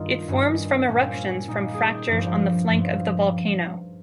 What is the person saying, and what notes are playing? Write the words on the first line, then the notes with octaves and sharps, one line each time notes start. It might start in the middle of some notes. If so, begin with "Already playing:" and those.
It forms from eruptions from fractures on the flank of the volcano.
Already playing: G2 D#3 G3 F4
G2 D#3 G3 C#4
A#2 G3 C#4
C4
C#4
A#2 G3 D#4
G4 G#4
G2 F3 G4
G2 F3